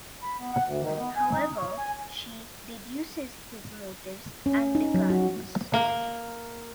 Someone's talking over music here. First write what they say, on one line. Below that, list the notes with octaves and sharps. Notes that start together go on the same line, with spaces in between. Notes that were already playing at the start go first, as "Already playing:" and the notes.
However, she deduces his motives and declines.
B5
B3
F#5
D2
D#3
B3
G#5
D#4
C#5
G#5
C#4
D#4
F#3
F#4
A#3